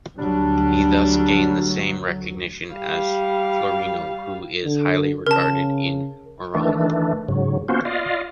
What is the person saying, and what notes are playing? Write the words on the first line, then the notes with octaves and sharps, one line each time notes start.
He thus gained the same recognition as Florino, who is highly regarded in Murano.
D2 F#3 G3 D4
G3 F5
D3
C#3 A#4 A5
D#3 E3 A3 D4
G#2 C#3 F#3
A#3 B3 C#4 F4 F#4 C5
F4 D5 D#5 F5